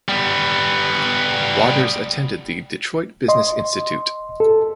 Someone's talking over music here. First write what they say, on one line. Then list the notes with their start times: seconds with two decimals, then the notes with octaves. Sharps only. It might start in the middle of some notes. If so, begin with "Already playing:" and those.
Waters attended the Detroit Business Institute.
0.09 G3 B3
3.28 D#5 C6
4.40 A4